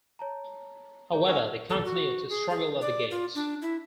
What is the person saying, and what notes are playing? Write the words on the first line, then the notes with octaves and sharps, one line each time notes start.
However, they continued to struggle at the gate.
C#5 A5 A#5
G#4 C#5 A#5
G#3 C4 C#4 F#5 G#6
A4
F#4
G#4
G#4
D5
F4
D4
E4